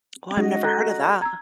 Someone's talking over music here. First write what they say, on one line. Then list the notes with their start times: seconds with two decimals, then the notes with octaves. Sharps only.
Oh, I've never heard of that.
0.37 G#3 C#4 D#4 F#4 G#4 D#5
0.64 A4 A#5 F#6
1.22 A#5 E6 G#6